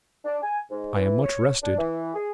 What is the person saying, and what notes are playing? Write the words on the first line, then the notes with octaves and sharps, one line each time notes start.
I am much rested.
D4
G#5
G#2
E3
C#5
D4
E3
G#4